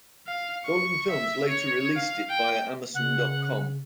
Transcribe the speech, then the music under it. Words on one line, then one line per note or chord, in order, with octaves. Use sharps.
Golden Films later released it via Amazon dot com.
F5
C#6
E5
C#5
F5
G5
C#3 F#5